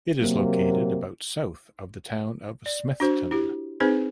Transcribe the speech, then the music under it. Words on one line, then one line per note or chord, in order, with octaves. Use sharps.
It is located about south of the town of Smithton.
C3 F#3 A#3
D5
D4 F#4 C5
E4 G4
C4 D#4 G#4 B4 C5